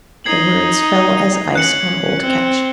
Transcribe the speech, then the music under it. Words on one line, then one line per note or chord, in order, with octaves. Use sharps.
The words fell as ice on old Ketch.
D#4 G#6 C7 F#7
C#4 F#6 C#7 F#7
C4